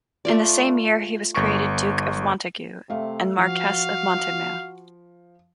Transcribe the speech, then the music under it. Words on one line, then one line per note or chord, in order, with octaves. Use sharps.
In the same year he was created Duke of Montagu and Marquess of Monthermer.
A3 F4 D5
G1 C#6
C3 A3 F5
F3 F#4 F5